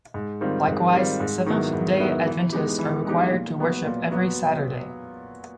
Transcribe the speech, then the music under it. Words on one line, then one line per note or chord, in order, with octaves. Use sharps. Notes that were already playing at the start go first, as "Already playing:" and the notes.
Likewise, Seventh-day Adventists are required to worship every Saturday.
G#2
D#3 G3 C4 F4
G#2
D#3 G3 C4 F4
G#2
D#3 F#3 B3 E4
G#2
D#3 F#3 B3 E4
E3
G#3 B3 D#4 G4
E3
G#3 B3 D#4 G4
A#2
F#3 B3
A#2
F#3 B3